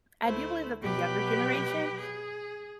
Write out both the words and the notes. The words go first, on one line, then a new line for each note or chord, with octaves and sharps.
I do believe that the younger generation
D2 A3 E4 C5
B2 F#3 G4 B4 B5 G6
G#4